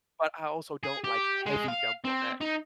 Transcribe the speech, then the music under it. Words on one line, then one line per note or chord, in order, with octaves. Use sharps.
But I also don't like heavy dump on that.
G#4
G4
G#3
F5
C4
D#4